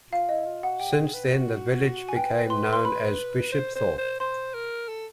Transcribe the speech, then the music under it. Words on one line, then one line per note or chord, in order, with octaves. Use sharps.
Since then, the village became known as Bishopthorpe.
F4 F5
E4 D#5
F4
F#4 F#5
G4 G5
G#4
B4
F#4
G#5
B4 G5
C6
C6
B5
C5
C5
C5
C5 C6
A#4
A4